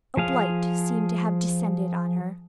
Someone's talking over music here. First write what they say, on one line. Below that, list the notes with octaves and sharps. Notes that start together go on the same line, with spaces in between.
A blight seemed to have descended on her.
F3 G#4 F5